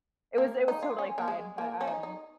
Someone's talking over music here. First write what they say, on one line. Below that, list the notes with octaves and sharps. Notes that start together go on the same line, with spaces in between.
it was it was totally fine, but, um,
A#3
D#4
F4
C#4
A#3
G#3
A#3
C#4
D#4
D#4